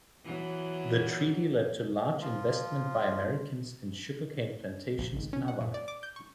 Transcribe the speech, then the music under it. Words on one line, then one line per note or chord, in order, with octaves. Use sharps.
The treaty led to large investment by Americans in sugarcane plantations in Hawaii.
E3 F#3 B3
F3 F4
A#1
G#1
C#4
F#5
A#2
D5
D6
G6
C#6